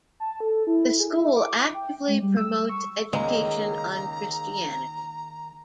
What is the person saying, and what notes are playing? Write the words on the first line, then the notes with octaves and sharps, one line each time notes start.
The school actively promotes education on Christianity.
A5
A4
E4
G#4
E5
D6
G5
G#3
G3
E6
C#6
C#2 D#3 G#3 A#3 A#5